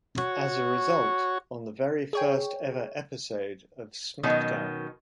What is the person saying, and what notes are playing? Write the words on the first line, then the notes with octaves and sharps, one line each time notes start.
As a result, on the very first ever episode of SmackDown!
F#4 C#5
G#4 C#5 G5
B2 D#3 F#3 C#4